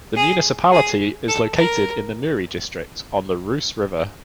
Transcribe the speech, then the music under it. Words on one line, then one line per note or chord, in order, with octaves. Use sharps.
The municipality is located in the Muri district, on the Reuss river.
G#4
G#4
A4
A#4